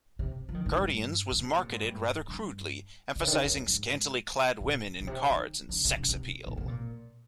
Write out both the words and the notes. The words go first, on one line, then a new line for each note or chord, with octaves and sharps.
Guardians was marketed rather crudely, emphasizing scantily-clad women in cards and sex appeal.
C3
F3
D#3
G#2
G2
C#3
C3
A#2
G#2
G2
G2
C3
C#3
D#3
C#3
F2
G2
G#2
A#2
A#2
C3
D#3
C#3
C3
C#3
C3
A#2
C3
A#2